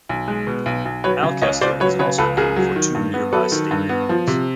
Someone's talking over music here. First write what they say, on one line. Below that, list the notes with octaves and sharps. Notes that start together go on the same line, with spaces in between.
Alcester is also known for two nearby stately homes.
B1
G#3
B2
B1
B1
F#3 B4 C#5
C#3
C#2 C#5 D#5
C#2 C5 D5
F#3 B4 C#5
C#3 B4 C#5
C#2 A4 B4
C#2 G#4 A#4
F#3
D#3
G2
B3
F#3 A4 B4
D#3
G2
B3
F3
C3